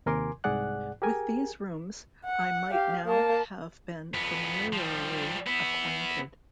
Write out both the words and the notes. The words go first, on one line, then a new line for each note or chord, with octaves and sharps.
With these rooms I might now have been familiarly acquainted!
D#2 C3 A#4 G#5 C6 D6
C2 G#2 G#4 D5 F#5 F#6
G4 G#4 A#4 G#5
F#5
G4 F5
A#3 A5
F2 B3
F3 G3
B3 E4